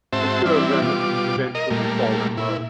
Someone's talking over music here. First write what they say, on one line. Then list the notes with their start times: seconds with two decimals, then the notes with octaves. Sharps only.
The two of them eventually fall in love.
0.13 G#2 C4 F#4 C5 E5 A5
0.46 E3 G3 C4 D4 E4
0.82 B2 G3 F4 D6
1.55 A#4 D#5
1.70 A#2 G3 A3 A#3
2.37 A#2 E4